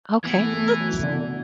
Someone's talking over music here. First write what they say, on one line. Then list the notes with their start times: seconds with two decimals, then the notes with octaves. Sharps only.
Okay, that's
0.24 E3 B3
0.40 A3
0.53 A3
0.80 F#3
0.91 E3
1.03 D3
1.14 B2